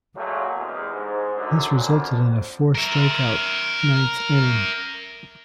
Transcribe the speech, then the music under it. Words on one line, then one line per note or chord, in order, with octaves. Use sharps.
This resulted in a four-strikeout ninth inning.
A#2 F#3 G#3 A3
E2 C3 G#3
G#2
F#2 D3
F2 D3
A#4 E5